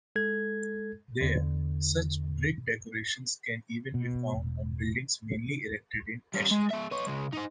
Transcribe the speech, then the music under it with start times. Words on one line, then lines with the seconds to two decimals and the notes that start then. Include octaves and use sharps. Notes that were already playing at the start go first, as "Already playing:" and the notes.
There, such brick decorations can even be found on buildings mainly erected in ashlar.
0.16 G#3 A4 G#6
1.21 E2 D3
3.94 B2
4.35 E1
6.34 G3 C#4
6.51 G#3
6.70 G#3 E5
6.91 B4 C#5
7.07 C#3 G#3
7.33 D#4 C5